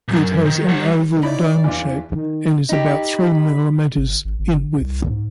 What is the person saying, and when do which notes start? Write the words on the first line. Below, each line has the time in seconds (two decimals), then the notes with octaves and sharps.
It has an oval dome shape and is about three millimetres in width.
0.09 C2 F#2
0.46 D#3
0.69 G3 F#5
1.23 D#4 E4 C#5 D5 B5
1.64 E2 E3 D4 F4
2.14 D#3
2.69 D#4 G4 B5
3.97 G1
4.25 G#1
4.39 G1
4.81 C2
5.09 G#2